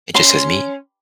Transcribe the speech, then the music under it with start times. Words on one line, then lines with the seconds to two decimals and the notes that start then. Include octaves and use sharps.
It just says, "meat."
0.15 C#4 C6